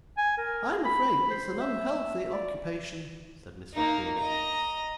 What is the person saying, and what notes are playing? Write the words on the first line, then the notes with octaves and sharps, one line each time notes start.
'I am afraid it is an unhealthy occupation,' said Miss La Creevy.
G#5
A#4
B5
C5
E5
D5
A#3 D#4
D#5 A#5